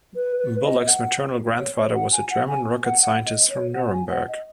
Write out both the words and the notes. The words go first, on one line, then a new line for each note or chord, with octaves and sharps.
Bullock's maternal grandfather was a German rocket scientist from Nuremberg.
B4
B4
D#5
D#5
F#5
C#5
C#5
F#5
G#5
F#5
G#5
F#5
F#5
D#5
C#5
F#5
F#5
G#5
F#5
D#5